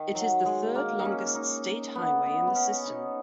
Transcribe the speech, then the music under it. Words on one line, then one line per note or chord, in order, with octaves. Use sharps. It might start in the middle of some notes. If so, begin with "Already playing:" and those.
It is the third-longest state highway in the system.
Already playing: D#3
F#3
G#3
A#3
D#4
C#4
D#4
B3
B3
B3
C#4
D#4